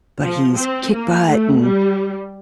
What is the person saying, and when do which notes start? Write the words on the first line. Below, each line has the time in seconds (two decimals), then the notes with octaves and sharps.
but he's kick butt and,
0.21 F3
0.56 C4
0.92 A#3
1.27 A3
1.62 G3